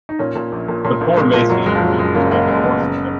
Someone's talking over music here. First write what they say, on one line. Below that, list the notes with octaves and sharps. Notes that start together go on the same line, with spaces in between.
The poor emaciated creatures all but worshipped him.
D#4
A#2 C#4
A#2
A#1
A#2
A#2 C#4
A#1 A#3
A#2 G#3
A#2 F3
F#1 F#3
F#1 G#3
F3
F#1 F#3
F#1 G#3
C#3 A#3
F#1 A#3
F#1 G#3
C#3 B3
F#1